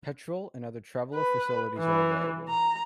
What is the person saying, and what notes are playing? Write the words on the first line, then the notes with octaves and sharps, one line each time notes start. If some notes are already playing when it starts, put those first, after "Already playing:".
Petrol and other traveller facilities are available.
B4
E3
A#5